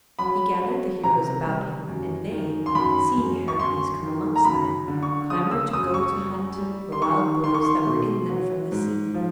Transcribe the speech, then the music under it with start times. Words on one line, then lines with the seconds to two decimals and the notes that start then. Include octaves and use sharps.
He gathered the heroes about him, and they, seeing Heracles come amongst them, clamored to go to hunt the wild bulls that were inland from the sea.
0.19 F#3 B5
0.61 F#3
1.04 C3 A#5
1.46 G3
1.89 F#2
2.31 D#3
2.66 C6
2.75 F#2 B5
3.17 F#2
3.48 C#6
3.59 F#2 C6
4.03 D#3
4.36 A#5
4.45 F#2 B5
4.88 D3
5.03 C#6
5.30 C#3 D#6
5.51 E6
5.73 F#2 D#6
5.94 C#6
6.15 G3
6.58 G3
6.92 C6
7.02 D#3 C#6
7.44 D#3 C6
7.54 C#6
7.65 C6
7.86 B2
8.29 F#3
8.72 G#2
9.14 F3